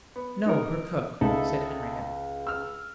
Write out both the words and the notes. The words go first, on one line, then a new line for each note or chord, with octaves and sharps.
"No--her cook," said Henriette.
B3
D#4 A#4
C#2 D#4 E4 A4
E6 F6